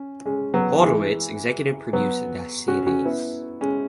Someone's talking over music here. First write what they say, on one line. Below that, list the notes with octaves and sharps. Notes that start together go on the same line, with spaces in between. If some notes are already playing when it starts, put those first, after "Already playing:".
Horowitz executive produced the series.
Already playing: C#4
G#3 C#4
F#3 B3
E3 G#3
F#3 B3
C#4 F#4
C#4 F#4
B3 E4
G#3 C#4